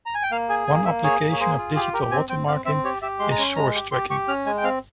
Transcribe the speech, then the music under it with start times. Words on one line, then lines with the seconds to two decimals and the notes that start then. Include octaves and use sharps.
One application of digital watermarking is source tracking.
0.06 A#5
0.14 G#5
0.23 G5
0.31 A#3 F5
0.49 G#4 G#5
0.67 A#3 G#5
0.85 A#3 E5
1.04 G#4 C#5
1.21 A#3
1.32 C#5
1.40 G#4 C5
1.58 F4
1.75 G4 G#4
1.93 G4 A#4
2.11 C4 G#5
2.29 C4 G5
2.48 C4 F5
2.65 C4 E5
2.84 G4 C#5
3.02 G4 E5
3.19 G#3 C6
3.32 A#5
3.38 C#4 C6
3.56 G#3 A#5
3.75 G4
3.91 G4 C6
4.10 G4 C#6
4.28 C#4 F6
4.46 G#3 G#5
4.58 G5
4.64 C4 F5